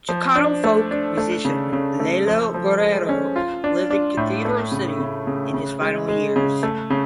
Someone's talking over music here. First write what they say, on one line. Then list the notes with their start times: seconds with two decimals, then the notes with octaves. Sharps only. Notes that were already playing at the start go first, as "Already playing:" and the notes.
Chicano folk musician Lalo Guerrero lived in Cathedral City in his final years.
0.09 F3
0.36 D4
0.64 A3
0.91 D4
1.18 A3
1.45 C#3
1.73 C#3
2.00 A3
2.27 F3
2.54 F3
2.81 G#3
3.09 C#4
3.36 F4
3.64 D4
3.90 D4
4.17 A2
4.45 A3
4.72 C#3
5.00 C#3
5.27 C#3
5.54 C#3
5.82 G#3
6.09 G#3
6.36 C#3
6.63 A3
6.90 C#3